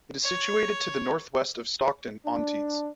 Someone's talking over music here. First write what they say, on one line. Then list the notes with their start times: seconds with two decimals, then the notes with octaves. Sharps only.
It is situated to the north-west of Stockton-on-Tees.
0.23 C#5
2.25 D4